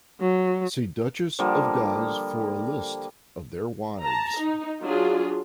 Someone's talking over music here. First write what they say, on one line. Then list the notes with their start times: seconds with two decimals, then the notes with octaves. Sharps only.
See Duchess of Guise for a list of their wives.
0.20 F#3
1.39 D3 F3 G3 A#3
4.02 A5 A#5
4.39 D#4
4.82 F#3 D4 F4 G#4